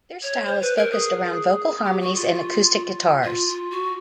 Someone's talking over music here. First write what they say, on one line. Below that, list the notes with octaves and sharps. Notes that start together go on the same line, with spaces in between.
Their style is focused around vocal harmonies and acoustic guitars.
C#5
C5
B4
A#4
G#4
G4
F#4
F4
F4
F4
F#4